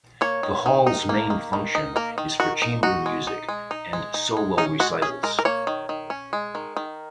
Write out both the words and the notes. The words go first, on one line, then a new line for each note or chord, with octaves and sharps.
The Hall's main function is for chamber music and solo recitals.
A#3 C#5
D#3
D#3
D#4
A#3
D#3
D#3
D#4
A#3 A#4
D#3
D#3 F#4
D#4
D#4 F#4
G#3
D#4
G#3
D#4
G#3
D#4
G#3
C#4 D#4
G#3 F#4
C#4 G#4
G#3 A#4
A#4
A#3 C#5
D#3
D#3
C#4
G#3
D#3
D#3